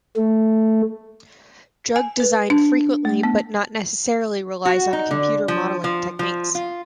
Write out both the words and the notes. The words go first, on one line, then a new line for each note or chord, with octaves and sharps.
Drug design frequently but not necessarily relies on computer modeling techniques.
A3
G#5
B4
D4
A3
B3
F#4
D#4
D3
F3
F3
F3
F4